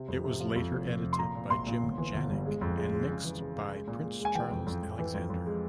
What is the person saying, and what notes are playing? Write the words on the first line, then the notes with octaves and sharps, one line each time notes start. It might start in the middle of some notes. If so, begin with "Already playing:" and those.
It was later edited by Jim Janik and mixed by Prince Charles Alexander.
Already playing: C3
F2
C3
F3
F2
F1
F3
F1
C6
A#2 A#5
A#2
A#1 C6
A#2
G1
E3
G1
G2
G#3
F2
G#3
G#3
C#3
E3
C#3
C#3
G#3
A#2
G#3
G#3
G#5
E3 G5
F2
F2
F2
E3
F2
F2
G#3